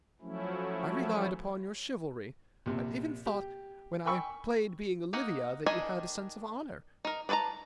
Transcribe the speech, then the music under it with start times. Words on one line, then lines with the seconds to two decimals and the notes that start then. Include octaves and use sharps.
I relied upon your chivalry; I even thought, when I played being Olivia, that you had a sense of honor.
0.22 F3 F#3 A3 C#4 E4
2.66 A#1 C3
3.26 G4
4.05 G5 G#5 B5 C#6 E6
5.13 A#3 D#4 D#5 F#5
5.66 D#3 D4 D#5 G#5
7.05 D#4 A#4
7.29 D4 B4 C#5 A5 A#5